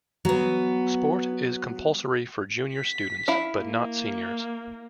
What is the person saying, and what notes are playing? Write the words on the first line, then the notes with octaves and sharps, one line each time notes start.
Sport is compulsory for junior students but not seniors.
F#3 B3
B6
E4 F5
A#3